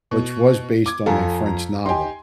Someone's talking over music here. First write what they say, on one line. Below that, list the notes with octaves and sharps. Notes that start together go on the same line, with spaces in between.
which was based on a French novel,
B2
D6 G#6
F2 A4 F5 G#5 A#5
A#5
D#4 G4 G#5 C6